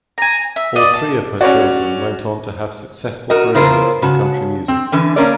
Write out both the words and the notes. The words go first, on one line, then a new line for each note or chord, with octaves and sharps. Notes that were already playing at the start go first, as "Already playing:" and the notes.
All three of her children went on to have successful careers in country music.
G#5 A#5
E5
D5 D#5
A5
C#4 F#4 C#5 D5
F#4 A#4 D#5
C#3 B3 E4 F4 A#4 C5
C#3 F#4 A5
C4
D3 E3 C#4
A#3 C#4 D4 A#4 C#5 D5